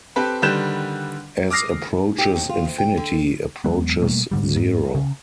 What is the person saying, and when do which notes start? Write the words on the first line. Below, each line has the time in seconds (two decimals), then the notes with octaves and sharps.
As approaches infinity, approaches zero.
0.16 C4 G4 A4 B4
0.42 D3 D#3 G3 B4 G6 E7
1.50 D6 D#6 F6 A#6 C7
2.18 G4
2.36 D#2
2.49 F4
2.65 D2
2.78 G5
2.97 D3
3.64 E2 F#3 G#3 B3
4.02 B2 G3 A3 A#3
4.31 G#2 D3 G3
4.56 G#2
4.95 C#3